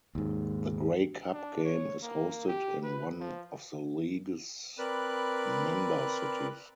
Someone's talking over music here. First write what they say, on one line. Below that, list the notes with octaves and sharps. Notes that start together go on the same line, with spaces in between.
The Grey Cup game is hosted in one of the league's member cities.
D#2 G#2
D4
C#5
A#3
G4
B4
F3
C4 A#4 B4 D5 B5 F#6